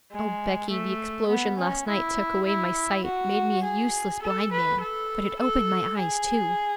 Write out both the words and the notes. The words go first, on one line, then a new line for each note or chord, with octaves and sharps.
O, Becky, the explosion last night took away my sight, made me a useless blind man, but it opened my eyes too!
G#3
A3
B3
C#4
E4
E4
F#4
G#4
A4
B4
A4
A4
G#4